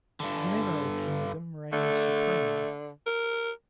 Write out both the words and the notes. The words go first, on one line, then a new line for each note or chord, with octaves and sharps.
The mineral kingdom reigned supreme.
G2 D3
D3 A3
A#4